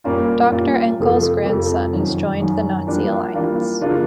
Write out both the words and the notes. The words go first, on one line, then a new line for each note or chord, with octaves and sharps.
Doctor Engel's grandson has joined the Nazi Alliance.
A#2 G3 A#3 C#4 F4
A#2 G3 A#3 C#4 F4
F2 C3 F3 A3
F2 C3 F3 A3
F#2 D#3 F#3
F#2 D#3 F#3
E3 G3 A#3 D4 F4
E3 G3 A#3 D4 F4
C#3 F3 A#3 D4 F4